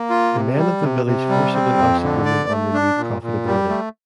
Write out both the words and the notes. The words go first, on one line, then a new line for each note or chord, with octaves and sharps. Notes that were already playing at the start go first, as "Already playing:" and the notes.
The men of the village forcibly ousted women on renewed profitability.
Already playing: A#3
F4
C3
G3
C3
C3
G3
C4
F2
D3
D5
A3
D4
A#2
A#2
G3
A3